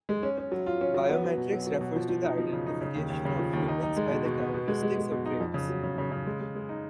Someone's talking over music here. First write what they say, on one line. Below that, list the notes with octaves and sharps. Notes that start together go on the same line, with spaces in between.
Biometrics refers to the identification of humans by their characteristics or traits.
G#3
C#4
C#4
F#3
F4
C#4
F#3
B3
F#3
B2
F#3
F#3
B2
F3
F3
D#4
F3
C#3
D#4
C#3
D#2
D#2
C#3
F3
D#2
D#4
D#4
G#3
B2
B2
B3
B2
G#3
G#3
G#3
B2
D#4
F2
C#3
F#3
C#3
C#3
C#3
G#3
G#3
G#3
D#4